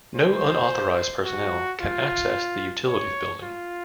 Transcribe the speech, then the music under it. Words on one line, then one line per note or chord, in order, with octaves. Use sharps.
No unauthorized personnel can access the utilities building.
C5
F#4
F4
C#5
F4